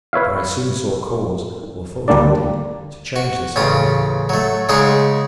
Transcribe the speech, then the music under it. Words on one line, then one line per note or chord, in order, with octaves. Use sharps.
But I soon saw cause--or thought I did--to change this opinion.
B4 C#5 E5 F5
D2 G3 A#3 D4 D5
F#4
A1 C#3 F4 D#6
F#3 A3
C#3 G#3 D#4 G#4 F#5 C6